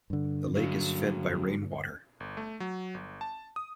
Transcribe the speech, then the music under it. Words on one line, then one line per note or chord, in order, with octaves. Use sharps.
The lake is fed by rain water.
G2 D3
F#3 A#3
G1
A3
F#3
G1
A5
D#6